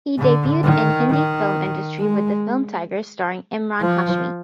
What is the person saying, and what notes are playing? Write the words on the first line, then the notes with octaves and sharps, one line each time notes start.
He debuted in Hindi film industry with the film Tigers starring Emraan Hashmi.
D3
D#3
D#3
G#3
F3